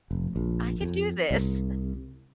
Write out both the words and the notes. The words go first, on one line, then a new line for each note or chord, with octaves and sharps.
"I can do this."
F1
A#1
F2
C2